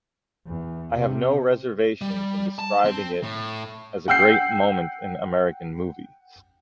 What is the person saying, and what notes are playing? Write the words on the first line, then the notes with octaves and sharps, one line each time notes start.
I have no reservations in describing it as a great moment in American movies.
E2
C3
G3
A5
C4
A2
F#5 G5 E6 G6 C7